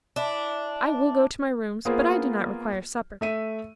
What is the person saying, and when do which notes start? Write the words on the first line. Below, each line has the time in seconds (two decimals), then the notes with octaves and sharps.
I will go to my rooms, but I do not require supper.
0.16 D4 E4
1.85 A#3 B3 F4 G#4 A#4 C5
3.21 A3 E5 D#7